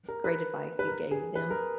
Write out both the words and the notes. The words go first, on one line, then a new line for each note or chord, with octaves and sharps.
great advice you gave them?
A#4
B4
B4
A#4
G#4
B4
A#4